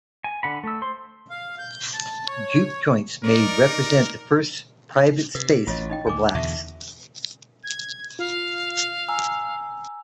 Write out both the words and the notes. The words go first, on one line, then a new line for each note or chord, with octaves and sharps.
Juke joints may represent the first "private space" for blacks.
G#5
D3 F#5 B5
A3 E6
C5 C6
F5
G6
A5
C#5
D#4 A#4 D5
C3 B4
A1 F4 C#5 D#5
D#4 D#5 G5
D2 A#2 G#5 D6
E2 B2 D3 E5 A5 C#6
G#6
F4 F5
G#5 A#5 E6